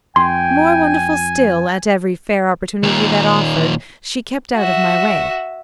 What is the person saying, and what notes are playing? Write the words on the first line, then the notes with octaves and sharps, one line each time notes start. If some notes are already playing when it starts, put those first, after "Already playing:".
More wonderful still, at every fair opportunity that offered, she kept out of my way.
F2 G5 G#5 C6
D#2 A#2
F#4 E5